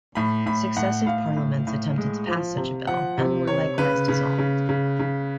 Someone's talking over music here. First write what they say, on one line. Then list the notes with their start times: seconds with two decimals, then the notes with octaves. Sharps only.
Successive Parliaments attempted to pass such a bill, and were likewise dissolved.
0.15 A2 B5
0.46 A2 B5
0.77 A2 F#5
1.06 A2 F5
1.37 A2
1.67 A2
1.98 G#3
2.27 F3
2.57 C3
2.87 F3 F#5
3.18 C3
3.47 C3 C#5
3.78 C#3 B4
4.08 C#3
4.39 C#3
4.69 C#3
5.00 C#3